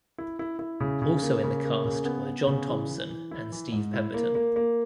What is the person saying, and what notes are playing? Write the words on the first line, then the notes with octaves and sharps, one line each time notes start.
Also in the cast were John Thomson and Steve Pemberton.
E4
E4
E4
C#3
C#3
A#3
C#3
A#3
C#3
B3
B3
C#3
E3
E3
E3
E4
E3
G#2
E4
A#3
A#3
A#3